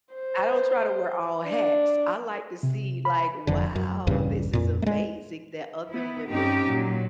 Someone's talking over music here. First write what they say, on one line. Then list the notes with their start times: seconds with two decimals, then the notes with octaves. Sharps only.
I don't try to wear all hats. I like to see, like, "Wow. This is amazing that other women,"
0.14 C5
1.47 D4
2.63 C3
3.05 B5
3.47 F1 F2 D3
3.75 F#2
4.07 A#1 E2 G2 C#3
4.53 F2 A#2
4.82 G#3 A3
5.91 B3 E4
6.29 G2 C4 C#4 D#4 G4
6.67 A#2 F#3